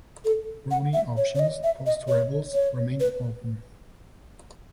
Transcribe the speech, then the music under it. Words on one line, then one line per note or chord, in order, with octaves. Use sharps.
Rooney options, post-Rebels, remain open.
A4
F#5
E5
C#5
C#5
D#5
E5
D#5
C#5
C#5
B4